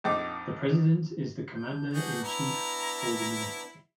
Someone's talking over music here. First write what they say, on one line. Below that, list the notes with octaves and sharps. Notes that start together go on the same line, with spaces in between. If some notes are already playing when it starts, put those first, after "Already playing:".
The president is the commander in chief for the military.
A#1 F2 D#4 D6
D4 G6
B3 D4 F#4 G#4
E4 A#5